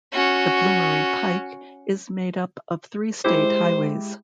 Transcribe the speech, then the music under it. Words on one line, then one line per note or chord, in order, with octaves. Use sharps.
The Bloomery Pike is made up of three state highways.
C#4 F#4
G#3 E4 G4 C5